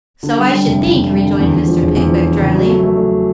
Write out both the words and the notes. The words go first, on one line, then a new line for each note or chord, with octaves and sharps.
'So I should think,' rejoined Mr. Pickwick drily.
D3
G3
G3
F1
G3
F1
G3
D3
E2
E2
F3
E1
E2
F3
F3
C#3
F#3
A3
A3
A3